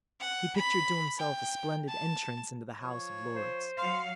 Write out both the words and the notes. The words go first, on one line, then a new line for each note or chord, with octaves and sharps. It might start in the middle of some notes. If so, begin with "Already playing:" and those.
He pictured to himself a splendid entrance into the House of Lords.
F#5
B5
G5
A5
F3 C#5
C5
F#3 F5 C6